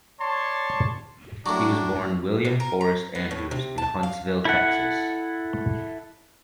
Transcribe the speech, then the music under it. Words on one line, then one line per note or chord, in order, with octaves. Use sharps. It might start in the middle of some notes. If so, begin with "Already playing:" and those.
He was born William Forrest Andrews in Huntsville, Texas.
C#5 D5 A5 C6 C#6
A2 F#3 D4 A#5 C#6 D6
C3
A#4
A#5
B3
A2
C3
A5
F5
E4 A4 F#5